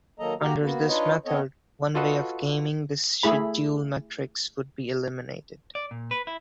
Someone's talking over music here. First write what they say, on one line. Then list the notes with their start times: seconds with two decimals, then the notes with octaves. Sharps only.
Under this method, one way of gaming the schedule metrics would be eliminated.
0.19 D#3 F#3 A#3 A4 D#5 A#5
0.40 A#3 F#4 G4 A#4 A#5
0.61 A#3 B3 F#4
0.88 D4 D#4 F4 B4 C#5 D#5
1.26 B3 C4 A4 C#5 D#5
1.95 F4 F#4 A4 B4 D#5 F#5
3.23 A3 E4 G#4 B5
5.75 D5
5.91 A#2
6.11 B4
6.27 E4